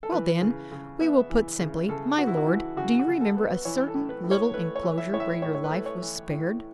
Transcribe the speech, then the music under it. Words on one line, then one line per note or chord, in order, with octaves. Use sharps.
"Well, then, we will put simply, My Lord, do you remember a certain little enclosure where your life was spared?"
A4
E3 B4
C#3
C#3
B3 E5
E3
C#3
C#3 A4
B3 F#4
E4
F#4
E3 E4
C#3 F#4
F#4
C#3
A4
B3
B4
E3 C#5
A4
A2
B4
A2
C#5
A3 B4
C#5
E3
E5
A2 C#5
E5
A2 C#5
C#5
B4
A3
C#5
E3
A2